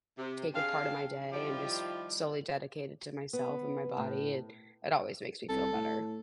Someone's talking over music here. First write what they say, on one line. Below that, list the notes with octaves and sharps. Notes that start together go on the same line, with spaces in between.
take a part of my day and just solely dedicate it to myself and my body, it it always makes me feel better.
C3
C4 D4 G#4 F5
D#3 F3 G3 E4 F4 G4
B3
A2
C2 A4
A2